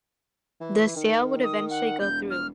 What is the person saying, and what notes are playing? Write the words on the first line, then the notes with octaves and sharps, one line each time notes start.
The sale would eventually go through.
E3
D#3
D#6
F#5
E1 G6
F6